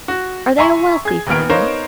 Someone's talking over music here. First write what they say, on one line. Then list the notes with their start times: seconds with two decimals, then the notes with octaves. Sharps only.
"Are they a wealthy family?"
0.08 F#4
0.58 E5 G#5 A#5 C6 C#6
1.05 G#4 G#6
1.27 D#1 D#2 B3 F6 D7
1.49 B3 D#4 A#4 C5 C#5 F5